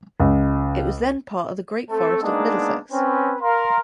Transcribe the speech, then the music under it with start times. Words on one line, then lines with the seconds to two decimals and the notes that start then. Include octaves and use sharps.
It was then part of the great Forest of Middlesex.
0.20 C#2
1.90 A3 C4 A4
2.22 G#3 A#3 B3 D4 D#4 G#4
2.92 C4 C#4 B4
3.41 A#4 F5 C6